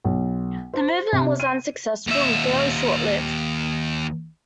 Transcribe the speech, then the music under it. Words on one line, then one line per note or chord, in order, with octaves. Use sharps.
The movement was unsuccessful and fairly short-lived.
B1
C5
C3
D#7
D#2 E5